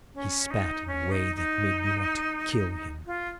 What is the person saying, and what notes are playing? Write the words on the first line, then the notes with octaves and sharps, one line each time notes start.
He spat--in a way that made me want to kill him.
C#4
D#4
C#4
D#4
D#4
F4